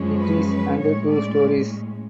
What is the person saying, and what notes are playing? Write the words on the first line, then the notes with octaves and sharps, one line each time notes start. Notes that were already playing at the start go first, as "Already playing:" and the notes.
It is and two stories.
Already playing: F#2 F3 G#3 C#4
B4
B4
A2 G#3 C#4 C#5
D5